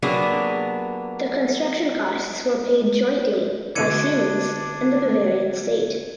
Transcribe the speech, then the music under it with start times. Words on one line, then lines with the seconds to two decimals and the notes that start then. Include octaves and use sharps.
The construction costs were paid jointly by Siemens and the Bavarian state.
0.02 C3 F#3 A#3 B3 D4 G#4
3.75 B2 D3 E3 D4 G#6 C#7 D#7